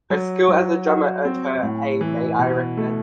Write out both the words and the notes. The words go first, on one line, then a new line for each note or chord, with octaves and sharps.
Her skill as a drummer earned her a May I recommend?
F#3
F#3
F#4
C4
A2
E3
B2
A3